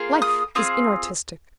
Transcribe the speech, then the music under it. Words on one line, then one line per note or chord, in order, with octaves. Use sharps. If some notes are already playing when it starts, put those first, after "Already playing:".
Life is inartistic.
Already playing: A#3 F4 G#4
D#6
C4 F4 G#4 D#6